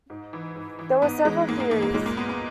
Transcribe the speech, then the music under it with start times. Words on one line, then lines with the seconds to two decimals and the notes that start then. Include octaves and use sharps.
There were several theories.
0.10 G#2
0.33 E3
0.56 G#2
0.79 E3
1.02 G#2 B3
1.25 E3 G#3
1.48 G#2 A#3
1.60 A#3
1.71 E3 A#3
1.82 A#3
1.94 A#2 G#3
2.06 A#3
2.17 B3
2.29 B3